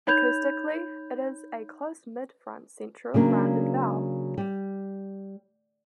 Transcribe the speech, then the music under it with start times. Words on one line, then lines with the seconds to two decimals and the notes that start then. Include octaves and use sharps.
Acoustically, it is a close-mid front-central rounded vowel.
0.07 D#4 C#5 B5 G6 G#6 F7
3.14 C#3 F#3 A#3 D4
4.38 G3